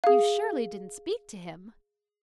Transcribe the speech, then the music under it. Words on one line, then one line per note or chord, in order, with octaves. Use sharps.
"You surely didn't speak to him?"
G#4 F5